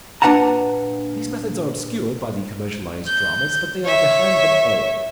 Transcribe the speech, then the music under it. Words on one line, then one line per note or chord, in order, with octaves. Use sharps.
These methods are obscured by the commercialized dramas, but they are behind them all.
A#2 D4 B4 F#5 A5 A#5
G6
C#5 E5